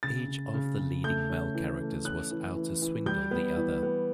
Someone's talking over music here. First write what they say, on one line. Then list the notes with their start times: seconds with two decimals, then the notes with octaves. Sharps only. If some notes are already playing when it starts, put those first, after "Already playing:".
Each of the leading male characters was out to swindle the other.
0.03 C#3 A6
0.28 C#3
0.54 C#3
0.79 C#3
1.04 A3 G6
1.30 C#4
1.54 E3
1.80 A3
2.05 C#4 F#6
2.31 E3
2.56 E3
2.82 E3
3.06 G3 G6
3.31 B3
3.57 E3
3.83 B3